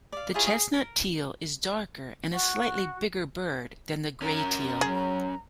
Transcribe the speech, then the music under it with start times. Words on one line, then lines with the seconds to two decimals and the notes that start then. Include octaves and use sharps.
The chestnut teal is darker and a slightly bigger bird than the grey teal.
0.12 D5 F5
0.34 E4 F4 G#4 C#5
0.47 G#4
0.73 A#4
2.30 F#4
4.22 C#4 A#4 A#5
4.81 F#3 G#4